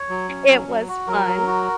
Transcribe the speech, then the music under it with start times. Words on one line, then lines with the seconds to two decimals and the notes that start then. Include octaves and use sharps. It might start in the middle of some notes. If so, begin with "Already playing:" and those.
it was fun.
Already playing: C#5
0.09 F#3
0.29 C#4
0.49 F#3
0.68 F#3
0.88 F#4
1.07 F#3 A#4
1.27 F#3
1.47 F#4